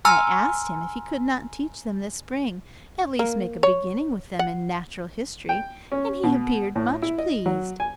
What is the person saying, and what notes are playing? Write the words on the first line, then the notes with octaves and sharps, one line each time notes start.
I asked him if he could not teach them this spring, at least make a beginning with them in natural history, and he appeared much pleased.
G#5 A#5 C6 E6 F6
A#3
C#5
F#5
G5
C#4
B2
A2
E4
D#5
F#3
G#5